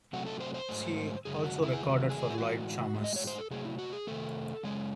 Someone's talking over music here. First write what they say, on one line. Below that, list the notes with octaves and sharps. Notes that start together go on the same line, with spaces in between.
She also recorded for Lloyd Charmers.
C3 F#3 A3 F#4
A4
C5
C5
G#2 F#3 A3
F#2 C#3 G#3 G#4
F#4
E4
G#4
E2 D#3 F#3 A3 F#4
G#4
E4
A2 E3 G#3 F#4
A2 G#3
D#5
C#5
C5
A4
C3 F#3 A3 G#4
E4
F#4
G#4
C3 D#3 A3 A4
F#2 C#3 G#3